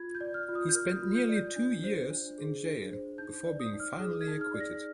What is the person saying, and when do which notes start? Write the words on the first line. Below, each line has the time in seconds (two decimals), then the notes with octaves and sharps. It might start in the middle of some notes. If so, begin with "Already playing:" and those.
He spent nearly two years in jail, before being finally acquitted.
Already playing: F4 G#6
0.15 G6
0.21 D5
0.34 F6
0.49 F4
0.55 D#6
0.69 G6
0.75 A#4 F6
1.03 F4
1.15 G6
1.29 D5
1.36 G6
1.56 D4
1.84 C5
2.11 D4
2.38 G#4
2.65 D4
2.92 C5
3.18 D#4 G6
3.46 D5
3.60 D#6
3.73 D#4
3.80 F6
3.99 G#4
4.21 G#6
4.28 D#4
4.41 F6
4.54 D5
4.60 A#6